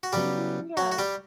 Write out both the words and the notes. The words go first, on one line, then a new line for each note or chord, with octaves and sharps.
Mhm, yeah.
F#4
C#3 F#3 G3 B3 G4
F#3 F#4
F#4
G3 G4